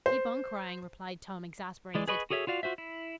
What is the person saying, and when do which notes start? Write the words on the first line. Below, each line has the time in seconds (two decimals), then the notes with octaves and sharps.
"Keep on crying," replied Tom exasperated.
0.06 C5
1.95 E3 G#3 D5
2.08 G#4 B4 D#5 B5 C#6
2.30 F#4 G#4 A4 C#5 E5
2.47 F4 F#4 D5 F5
2.63 F4 F#4 C5 E5
2.78 E4